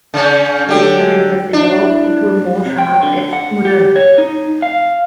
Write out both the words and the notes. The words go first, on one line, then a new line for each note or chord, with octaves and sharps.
His style has evolved into a more sharp-edged modernity.
C#3 C#4
D3 F#3 G4
D4 E4
C3
G5
D3
F#5
G4
C#5
D#4
F5